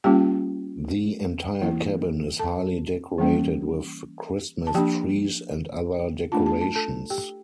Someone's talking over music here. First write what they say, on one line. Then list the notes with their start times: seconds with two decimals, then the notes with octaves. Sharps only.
The entire cabin is highly decorated with Christmas trees and other decorations.
0.04 G3 A#3 C#4 F4 G4 G5
1.62 E3 A#3 E4
2.39 A4 A5
3.18 E3 G3 A#3 C#4
4.67 A5
4.75 F3 A#3 D4 G4 G5
6.32 A3 D4 F4 A5
6.46 A5
6.61 A5
6.75 A4 A5
7.10 G4 G5